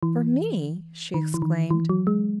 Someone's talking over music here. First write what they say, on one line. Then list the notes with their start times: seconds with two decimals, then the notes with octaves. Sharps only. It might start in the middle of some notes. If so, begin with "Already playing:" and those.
"For me!" she exclaimed.
0.03 E3
1.14 D#3
1.34 E3
1.42 D#3
1.71 E3
1.89 F#3
2.07 G#3